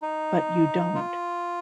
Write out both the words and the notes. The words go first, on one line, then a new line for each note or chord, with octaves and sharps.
But you don't.
D#4
F4